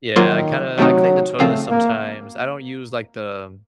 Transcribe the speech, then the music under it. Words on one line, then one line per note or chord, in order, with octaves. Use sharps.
Yeah, I kinda I clean the toilet sometimes. I don't use like the
D#3 F#3 A#3 F4
C3 D#3 F#3 A3 C4 D#4
C#3 F3 A3 C4 F4
A#3